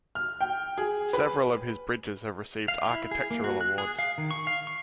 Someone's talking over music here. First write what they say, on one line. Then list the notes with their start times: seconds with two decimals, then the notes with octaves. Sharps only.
Several of his bridges have received architectural awards.
0.15 F6
0.41 G5
0.78 G#4
1.13 B4
2.68 F5
2.86 E4
3.11 G#4
3.31 A#3
3.44 F#4
3.61 F#6
3.78 G#4
3.99 F5
4.18 D#3
4.31 C#6
4.47 F5
4.67 C#6